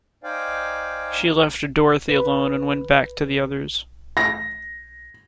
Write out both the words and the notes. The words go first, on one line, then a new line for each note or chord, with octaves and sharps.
She left Dorothy alone and went back to the others.
D#4 C5 D5 F5 G5 G#5
B4
A#6